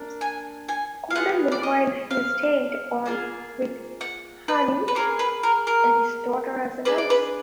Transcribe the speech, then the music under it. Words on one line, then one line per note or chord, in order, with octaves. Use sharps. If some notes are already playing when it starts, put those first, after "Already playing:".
Corder, meanwhile, has stayed on with Honey and his daughter as a nurse.
Already playing: A#3 D4
G#5
G#5
F5
B3 F4 G#4 F#5
D5
D#5
F5
A#3 F4 G#4
F#5
B4
B4
A#3 F4 G#4 A#4
B4
A#4
A#4
D4 G#4 B4
D5
B4